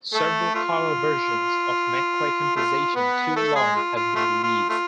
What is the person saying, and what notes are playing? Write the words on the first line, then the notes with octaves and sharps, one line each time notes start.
Several cover versions of McCoy's composition "Too Long" have been released.
A3 A4
A3 F4
A3 F4
B3 B4
A3 A4
G#3 G#4
F4
F4
A3 F4
F4
A3 F4